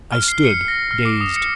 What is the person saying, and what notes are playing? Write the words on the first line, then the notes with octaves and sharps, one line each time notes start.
I stood dazed.
F6
C7
C#7
A#6
F6
D6
D#6
C#7